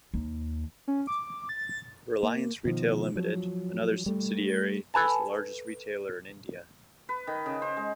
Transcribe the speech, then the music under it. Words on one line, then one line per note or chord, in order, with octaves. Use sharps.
Reliance Retail Limited, another subsidiary, is the largest retailer in India.
D#2
C#4
D6
A6
A#3
B2 D#3 F3
F3 F#3
G3 A3
A4 B4 G#5 A5
B4
D#3
C#3
C5
G#3